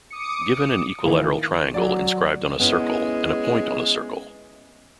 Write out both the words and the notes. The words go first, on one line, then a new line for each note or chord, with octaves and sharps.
Given An equilateral triangle inscribed on a circle and a point on the circle.
D6 D#6 C#7
D#3 E3 A#3
F#3 D5
G#3 B3 C#4 E4